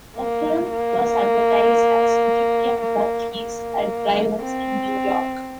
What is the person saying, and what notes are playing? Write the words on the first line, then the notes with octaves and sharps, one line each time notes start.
The film was advertised as "Egyptian Blood Feast" at drive-ins in New York.
A#3
A#3
A#3
A#3
C4